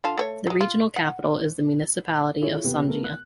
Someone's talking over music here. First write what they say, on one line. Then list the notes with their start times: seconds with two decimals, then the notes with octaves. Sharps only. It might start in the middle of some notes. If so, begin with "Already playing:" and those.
The regional capital is the municipality of Songea.
0.04 D3 F4 A5
0.17 A3 C4 C#5
0.47 F#3 G#3
0.61 F4
0.96 F#5
2.41 E4 F4 G#4 A4 C#5
2.64 D#2 C3 B3
2.87 A3 B3 A#4
3.04 F#6